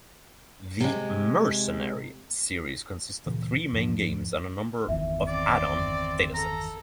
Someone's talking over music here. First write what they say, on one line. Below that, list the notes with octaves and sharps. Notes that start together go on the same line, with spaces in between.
The "Mercenary" series consists of three main games and a number of add-on datasets.
C3 G#3
D2 A#2 C#3 E3
E2 G#2 F3 D4
G1 E2 D#3 E5
C4 D5
A4 A#5